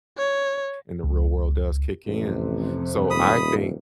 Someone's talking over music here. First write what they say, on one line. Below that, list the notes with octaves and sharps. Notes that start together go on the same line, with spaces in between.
and the real world does kick in. So I think
C#5
C#2
A1 F2 C3
D#1 B5 D#6